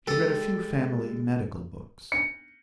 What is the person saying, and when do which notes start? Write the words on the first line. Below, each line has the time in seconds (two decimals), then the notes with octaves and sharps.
He read a few family medical books.
0.07 G#3 G4 A4 D#6
2.12 C#7